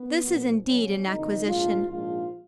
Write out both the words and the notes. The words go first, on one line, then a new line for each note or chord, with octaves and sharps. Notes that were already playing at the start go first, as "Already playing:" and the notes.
This is indeed an acquisition.
Already playing: B3
B1 A#2 F3
B1 B2 C#4
F#1 F2 D#3 D#4
A#1 G#2 F3 F4
A#1 G#2 F3 F4